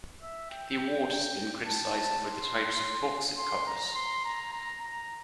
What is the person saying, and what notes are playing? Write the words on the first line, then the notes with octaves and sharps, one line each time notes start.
The award has been criticised for the types of books it covers.
E5
G5
A5
C6
C6
A#5
C6
A#5
A#5
A#5